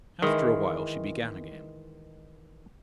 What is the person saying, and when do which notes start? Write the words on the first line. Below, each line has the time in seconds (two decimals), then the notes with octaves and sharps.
After a while, she began again.
0.22 D#3 E3 G#3